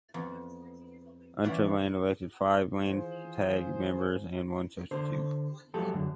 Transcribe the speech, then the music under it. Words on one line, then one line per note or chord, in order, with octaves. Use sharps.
Unterland elected five Landtag members and one substitute.
F2 B3
E3 G3 C#4 D5 F5 F#5
D#3 E3 F4 G#4 C5
D3 C5
F3 F#3 G#3 G4 A4
F#2 D3